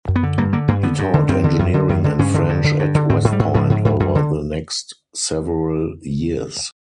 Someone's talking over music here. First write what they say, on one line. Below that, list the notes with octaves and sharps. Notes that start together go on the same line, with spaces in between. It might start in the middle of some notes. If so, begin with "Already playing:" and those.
He taught engineering and French at West Point over the next several years.
F#2
B3
D3
G2 A#3
D3 A#3
G2 A#3
D3 B3
G2
D3
F#2 C4
D3
F#2
D3
F#2
D3
G2 C#4
D3
G2
D3
G2
D3
G#2 C4
G#2
G3
G#2
G#2 F3
G#2
G#2
F#2
D3